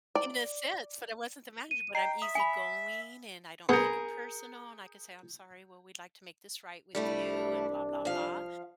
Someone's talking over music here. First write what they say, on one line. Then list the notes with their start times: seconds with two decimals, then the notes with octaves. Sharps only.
In the sense, but I wasn't the manager, but I'm easygoing, and I don't take it personal, and I can say, "I'm sorry, well, we'd like to make this right with you," and blah blah blah,
0.15 D5
1.71 D#7
1.95 D#5 G5 A#5 C7
2.22 E5 D#6
2.35 G#5 B5
3.69 B3 G#4 A#4 D#6 G6 C#7
6.95 C2 G3 A3 D4 E4
8.05 F3 F5